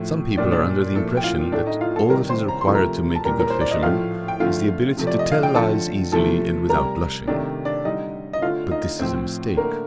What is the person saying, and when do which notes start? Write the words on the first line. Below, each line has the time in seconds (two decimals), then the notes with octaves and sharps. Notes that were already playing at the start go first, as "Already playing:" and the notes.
Some people are under the impression that all that is required to make a good fisherman is the ability to tell lies easily and without blushing; but this is a mistake.
Already playing: A2 F3 A3
0.37 A#2 G3 D4 D5
0.51 D4 D5
0.95 A#2 F3 A3 A4
1.17 G5
1.24 F4 F5
1.52 A2 A3 D4 D5
1.67 D#4 D#5
1.81 F4 F5
1.96 A4 A5
2.10 C3 D#3 G3 A#4 A#5
2.29 C5 C6
2.48 A#5
2.61 C6
2.67 C3 F3 A3
2.75 A#4 A#5
3.16 A5
3.25 A#2 G3 A#4 A#5
3.40 A#4
3.50 C5
3.61 D5
3.71 D#5
3.82 A2 F3 A3 F4 F5
4.28 G5
4.40 D3 F3 A3 F4 F5
4.97 C3 F3 A3
5.07 D5
5.19 D#5
5.32 F5
5.43 G5
5.55 D3 F3 A3 A4 A5
6.12 C3 F3 A3 A4 A5
6.69 C3 G3 A#4 A#5
7.27 C3 D#3 A3 D4 D5
7.65 D4 D5
7.85 D3 G3 D#4 D#5
8.33 D#5
8.42 D3 A3 F4 F5
8.71 D#4 D#5
8.99 A2 F3 A3 C4 C5
9.57 D3 A3 A#3 A#4